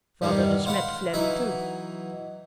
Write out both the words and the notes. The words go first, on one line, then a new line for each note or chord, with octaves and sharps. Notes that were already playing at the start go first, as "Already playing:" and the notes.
Father De Smet fled, too.
E2 G2 C3 D#3 G3
C5 F5 F#5 B5 C6
E3 F#3 D#4 E5